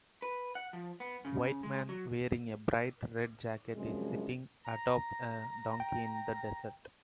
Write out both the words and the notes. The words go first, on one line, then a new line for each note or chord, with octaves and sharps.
White man wearing a bright red jacket is sitting atop a donkey in the desert.
B4
F#5
F3
B3
C#3
G#3
F#3
F#2 C3 E3 F3 G3 G#3
A#5
G5